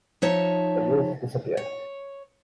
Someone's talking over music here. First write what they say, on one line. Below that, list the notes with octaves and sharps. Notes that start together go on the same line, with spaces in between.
The roof disappeared.
F3 D#4 C#5 E5 A5
C#5